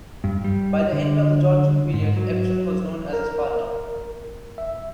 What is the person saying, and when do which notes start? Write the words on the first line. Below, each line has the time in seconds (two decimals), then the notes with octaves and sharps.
By the end of the Georgian period, Epsom was known as a spa town.
0.24 G2
0.44 G3
0.92 D3
1.94 G#2
2.16 F#3
3.13 A#4
4.58 E5